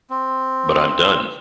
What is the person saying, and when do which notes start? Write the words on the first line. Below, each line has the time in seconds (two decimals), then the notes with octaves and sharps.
But I'm done.
0.10 C4